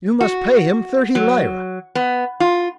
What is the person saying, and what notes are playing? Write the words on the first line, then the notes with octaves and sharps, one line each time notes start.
"You must pay him thirty lira."
F#4
F#3
B3
F4